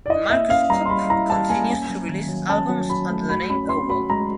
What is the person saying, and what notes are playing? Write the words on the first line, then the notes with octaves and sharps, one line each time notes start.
Markus Popp continues to release albums under the name Oval.
D5
E4 D#5
A#3 E5
C#4 F5
G3 A#5
C6
G3 B5
E4 A#5
G3 A5
A#3 G#5
C#4
F#3
D#3
F#3
C#4 A5
F#3
F#3 B5
A3
F#4 B5
C#4 B5
C#4 C6
F#4 B5
G#3 A#5